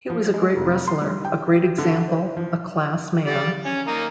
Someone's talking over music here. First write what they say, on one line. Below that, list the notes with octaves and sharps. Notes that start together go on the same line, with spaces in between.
He was a great wrestler, a great example, a class man.
F3
G#3
F1
C6
G3
G5
D3
C5
F3
G3 D5
C#4
A#3 D#4